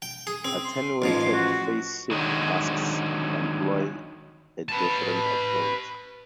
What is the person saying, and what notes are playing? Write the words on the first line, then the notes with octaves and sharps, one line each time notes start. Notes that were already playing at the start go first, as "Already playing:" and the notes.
"Attenuated phase-shift masks" employ a different approach.
G5
G#4
C4
C6
A1 G#2 F3
F#4
D3 D#3 F#3 G#3
B4 A5